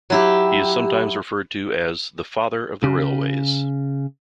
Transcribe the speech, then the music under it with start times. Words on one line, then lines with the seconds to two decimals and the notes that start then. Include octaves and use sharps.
He is sometimes referred to as the "Father of the Railways".
0.10 F#3 E4 G4
2.84 C#3